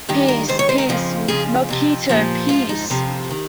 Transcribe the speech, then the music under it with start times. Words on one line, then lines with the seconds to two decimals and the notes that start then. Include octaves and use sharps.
Peace, peace, Mercutio, peace!
0.09 G2 D#3 G4
0.28 A#4
0.48 G#2 D#3 C5
0.59 C#5
0.69 C5
0.78 A#4
0.89 F2 C#3 F3
1.28 F2 C#3 F3 G#4
1.69 F2 C3 F3
2.09 A#2 F3
2.49 G#2 F3 F4
2.69 D#4
2.90 F2 C3 F3
3.31 D#3